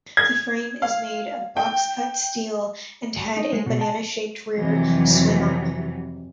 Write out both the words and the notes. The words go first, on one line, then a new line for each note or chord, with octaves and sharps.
The frame is made of box cut steel and had a banana-shaped rear swingarm.
G#6
F5
G5
D#4
G#3
B2
A5
F2 C3 E3 F#3